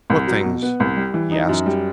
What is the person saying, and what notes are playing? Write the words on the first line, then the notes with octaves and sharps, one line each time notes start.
"What things?" he asked.
C2
F#3
B2
B3
C2
G3
E3
D#4
F#2
G3